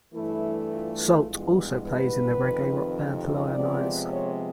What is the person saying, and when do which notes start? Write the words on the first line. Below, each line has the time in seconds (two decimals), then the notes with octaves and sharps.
Sult also plays in the reggae rock band Lionize.
0.14 G2 E3 A3 E4
0.72 F4
0.99 F4
1.27 G2 E3 G#3 B3
1.85 B4
2.40 F2 C3 D#3
3.54 C3 F3 G#3 B3 D5
4.11 C#5